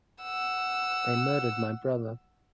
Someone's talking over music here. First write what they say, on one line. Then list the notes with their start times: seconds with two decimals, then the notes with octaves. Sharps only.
They murdered my brother.
0.23 F#5 E6